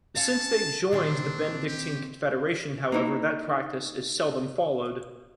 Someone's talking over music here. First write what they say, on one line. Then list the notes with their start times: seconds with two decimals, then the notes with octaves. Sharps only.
Since they joined the Benedictine Confederation, however, that practice is seldom followed.
0.16 C#4 F5 A5
0.91 A#2 D#3 C4 D4
1.67 G4
2.92 A#3 D#4 E4